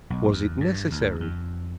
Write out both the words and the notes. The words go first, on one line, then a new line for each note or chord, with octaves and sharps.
Was it necessary?
B1
E2
G2
D2
F2